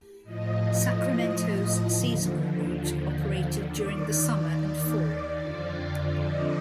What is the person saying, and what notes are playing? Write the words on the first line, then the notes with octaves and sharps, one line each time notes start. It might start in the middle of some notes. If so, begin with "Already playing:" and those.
Sacramento's seasonal route operated during the summer and fall.
A2 F3 D#5
D#2 D3 F3
D#2 D#3 D5
F2 D3 F3
D#5